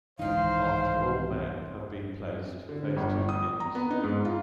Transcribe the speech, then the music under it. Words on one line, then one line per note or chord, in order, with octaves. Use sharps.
After all men have been placed, phase two begins.
C2 G#2 D#3 E3 D#4 C5 F5
D3
G1
D#6
A#5
B3
D#4
G#2
F4